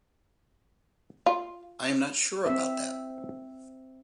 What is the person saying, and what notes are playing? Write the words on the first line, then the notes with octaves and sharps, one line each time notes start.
I am not sure about that.
F4
C4 E5